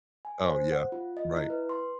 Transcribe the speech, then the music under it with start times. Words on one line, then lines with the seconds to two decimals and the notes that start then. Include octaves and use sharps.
Oh, yeah. Right.
0.25 G#5
0.44 C5
0.72 F#5
0.92 F4
1.17 D#5
1.36 E4
1.50 B4
1.69 C6